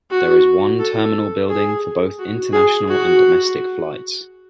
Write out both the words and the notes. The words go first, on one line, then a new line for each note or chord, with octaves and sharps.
There is one terminal building for both international and domestic flights.
F#4
A4
G#4
F#4
G#4
F#4